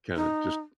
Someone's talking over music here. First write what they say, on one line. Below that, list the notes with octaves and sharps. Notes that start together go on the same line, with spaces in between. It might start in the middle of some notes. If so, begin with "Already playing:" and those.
kinda just
D#4